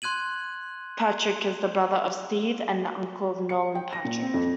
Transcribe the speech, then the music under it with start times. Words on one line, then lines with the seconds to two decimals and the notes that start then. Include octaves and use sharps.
Patrick is the brother of Steve and the uncle of Nolan Patrick.
0.02 C6 F#6 G#6 D#7 F#7
3.49 C#7
3.75 G5
3.93 A#6
4.05 A#2
4.22 C4
4.34 F2